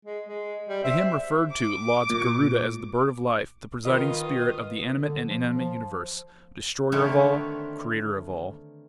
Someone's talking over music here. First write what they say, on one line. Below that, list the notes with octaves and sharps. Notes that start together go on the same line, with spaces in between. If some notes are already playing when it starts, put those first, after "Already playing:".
The hymn referred to lauds Garuda as "the bird of life, the presiding spirit of the animate and inanimate universe ... destroyer of all, creator of all".
G#3
G#3
G3
C4 E5
D6
A#2
D#3 F4 B4 D#5 D#6
D3
F3
F3
D3 D#3 A3 C4 B4 C#5